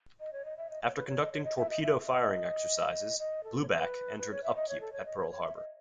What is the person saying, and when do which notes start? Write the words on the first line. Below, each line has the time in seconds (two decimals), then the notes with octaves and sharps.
After conducting torpedo firing exercises, "Blueback" entered upkeep at Pearl Harbor.
0.20 D#5
0.33 C#5
0.45 D#5
0.57 E5
0.70 D#5
0.83 C#5
0.95 B4
1.07 C#5
1.20 D#5
1.32 C#5
1.44 D#5
1.57 E5
1.70 D#5
1.83 E5
2.07 D#5
3.19 D#5
3.44 A4
3.62 C#5
3.68 B4
4.19 B4
4.31 C#5
4.44 E5
4.56 D#5
4.69 C#5
4.81 A4
4.93 C#5
5.06 D#5
5.18 C#5
5.31 C#5
5.43 E5
5.56 D#5